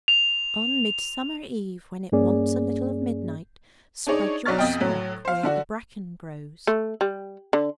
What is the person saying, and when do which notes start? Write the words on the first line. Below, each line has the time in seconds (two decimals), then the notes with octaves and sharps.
'On Midsummer Eve, when it wants a little of midnight, spread your smock where the bracken grows.
0.08 F7
2.12 G2 A#3 C#4 G#4 D5
4.07 D4 D#4 G#4 C#5 D5
4.45 B1 F#3 D5 C#6 F6 A6
4.59 B1 F2 D#5 G5
4.80 A2 F#3
5.25 C5 F5
5.43 D3 D4 F#4
6.67 A3
7.01 G3
7.53 D3